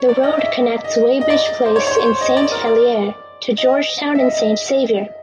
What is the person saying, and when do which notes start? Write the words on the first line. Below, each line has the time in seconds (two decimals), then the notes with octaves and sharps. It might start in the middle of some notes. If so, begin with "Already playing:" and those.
The road connects Weighbridge Place in St Helier to Georgetown in St Saviour.
Already playing: C#5
0.09 D5
0.23 D#5
0.39 E5
0.84 D#5
1.21 D#5
1.30 D5
1.66 C5
1.76 C#5
1.87 C#5
1.91 C5
2.06 C5
2.21 D#5
2.37 D5
2.52 A#4
2.67 D5
3.58 D#5
4.15 E5
4.19 D#5
4.34 D#5